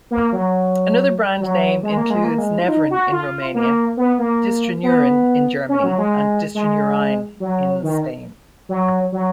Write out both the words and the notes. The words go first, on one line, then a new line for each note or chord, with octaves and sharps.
Another brand name includes Nevrin in Romania, Distraneurin in Germany and Distraneurine in Spain.
A#3
F#3
F#3
G#3
A#3
G#3
A#3
G#3
F4
D#4
F#4
F4
A#3
B3
A#3
B3
C#4
F#3
G#3
G#3
F#3
D#3
F#3
F#3